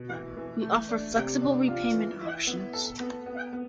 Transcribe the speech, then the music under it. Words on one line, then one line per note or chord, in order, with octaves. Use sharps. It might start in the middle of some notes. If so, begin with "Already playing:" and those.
We offer flexible repayment options.
Already playing: B2
E3
E3
A3
D4
C3
D4
F4
E3
E4
B3
A4
B3
B3
B3